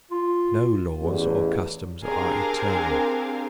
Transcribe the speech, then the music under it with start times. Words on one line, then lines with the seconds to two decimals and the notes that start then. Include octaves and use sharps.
No laws or customs are eternal.
0.11 F4
1.02 A1 E2
2.03 C4 D4 G4 G#4 A#4 F5